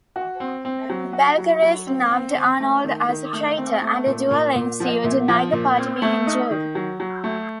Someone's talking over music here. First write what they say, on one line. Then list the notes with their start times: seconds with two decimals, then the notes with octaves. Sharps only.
Balcarres snubbed Arnold as a traitor, and a duel ensued, neither party being injured.
0.16 F#4
0.40 C4
0.65 C4
0.90 F#3
1.13 F#4
1.38 F#3
1.62 F#3
1.87 C4
2.11 C4
2.35 C4
2.60 A3
2.84 D#3
3.09 D#3
3.33 A3
3.57 C4
3.82 A3
4.06 A#2
4.31 A#2
4.55 A#2
4.80 F3
5.04 A#2
5.28 F3
5.52 A#2
5.77 C4
6.02 A3
6.26 D#4
6.51 D#3
6.75 F#3
7.00 F#3
7.24 A3